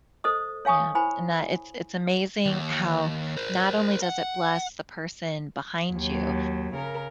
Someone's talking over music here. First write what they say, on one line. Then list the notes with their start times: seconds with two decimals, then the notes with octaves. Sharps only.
Yeah, and that it's it's amazing how not only does it bless the person behind you,
0.24 A4 C5 D#5 D#6
0.65 C#5 F5 G#5 C#6 D#6
0.95 E4 C5 G#5 B5
2.46 D#2
3.37 A#4 C5
4.03 F#5
5.93 D#2 F#3
6.74 C#3 A#4